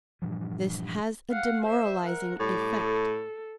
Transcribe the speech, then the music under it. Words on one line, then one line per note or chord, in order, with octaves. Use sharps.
This has a demoralizing effect.
G2 A#2 E3 F3
F5 F#5
C5 E5
A#4 F#5
A2 G3 D6
A4